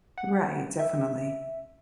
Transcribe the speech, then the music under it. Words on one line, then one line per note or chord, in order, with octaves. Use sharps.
Right, definitely,
F#5
E5